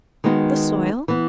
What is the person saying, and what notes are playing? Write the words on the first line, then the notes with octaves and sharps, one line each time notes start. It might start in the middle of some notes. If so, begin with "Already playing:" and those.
The soil.
D#3 G#3 B3 D#4 F#4
E3 B3